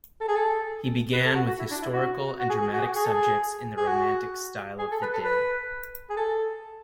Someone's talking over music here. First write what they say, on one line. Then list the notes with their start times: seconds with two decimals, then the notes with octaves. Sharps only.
He began with historical and dramatic subjects in the romantic style of the day.
0.21 A4
0.28 G#4
0.36 A4
1.13 B4
1.25 A4
1.35 F#4
1.47 F#4
1.59 E4
1.71 D4
1.82 E4
1.93 F#4
2.39 F#4
2.50 G#4
2.62 G#4
2.73 F#4
2.80 G#4
2.85 F#4
2.96 G#4
3.04 A4
3.12 G#4
3.77 G#4
3.87 F#4
4.79 G#4
4.91 A4
5.02 B4
5.13 A4
5.25 B4
6.10 G#4
6.17 A4